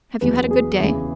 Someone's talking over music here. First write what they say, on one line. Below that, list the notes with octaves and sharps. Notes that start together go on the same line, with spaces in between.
"Have you had a good day?"
E2 B2 F#3 B4
G#4
E2 C#3 E3